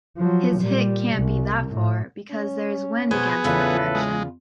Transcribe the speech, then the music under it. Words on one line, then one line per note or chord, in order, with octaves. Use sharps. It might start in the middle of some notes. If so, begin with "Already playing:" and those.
His hit can't be that far because there is wind against the direction.
F3 F#3
A#2 G3
C2
A2
C#4
B2 B3 G#4 C5 G#5
E2 A2 C#3 F4 A4 B4
G#3